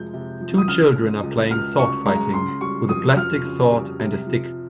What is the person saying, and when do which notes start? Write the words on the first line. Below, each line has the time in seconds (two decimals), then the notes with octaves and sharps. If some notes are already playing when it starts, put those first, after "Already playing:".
Two children are playing sword fighting with a plastic sword and a stick.
Already playing: F2 C3 F3 G#3 G6
0.14 C3
0.41 F3
0.58 D#6
0.68 C#3 F6
0.96 G#3
1.23 C#2
1.51 C#2 F6
1.78 C#3 C#6
2.06 G#3 A#5
2.34 C#3 C6
2.61 G3 C#6
2.89 F2 D#6
3.17 F2 F6
3.45 C#3
3.72 G3
3.99 C3
4.27 F3